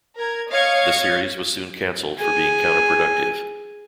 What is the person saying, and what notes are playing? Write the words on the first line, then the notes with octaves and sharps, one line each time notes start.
The series was soon cancelled for being counter productive.
A#4 G#6
C#5 D#5 F5 G#6 C#7
G#4 G#5